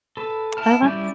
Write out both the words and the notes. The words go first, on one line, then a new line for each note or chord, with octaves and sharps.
Oh, that's
A4 B4
E4 A5 F6
G3 C#4 E4 D5 G6